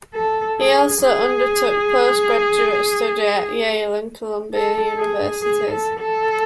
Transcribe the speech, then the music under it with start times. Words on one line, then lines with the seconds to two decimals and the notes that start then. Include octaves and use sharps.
He also undertook post-graduate study at Yale and Columbia Universities.
0.15 A4
0.59 G#4
1.02 G#4
4.54 A4
4.97 G#4
5.42 G#4
5.71 A4
6.01 A4